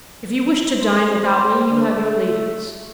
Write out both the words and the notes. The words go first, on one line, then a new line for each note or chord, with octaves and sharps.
If you wish to dine without me you have your ladies.
C5
G3
C5
D3
A3